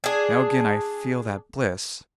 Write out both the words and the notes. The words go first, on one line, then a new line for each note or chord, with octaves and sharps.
Now again I feel that bliss.
D4 G#4